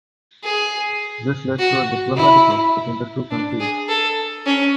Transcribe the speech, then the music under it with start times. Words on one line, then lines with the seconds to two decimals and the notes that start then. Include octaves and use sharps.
This led to a diplomatic row between the two countries.
0.43 G#4
1.58 F#4
2.16 E4
3.31 D4
3.60 G#4
3.88 A4
4.46 C#4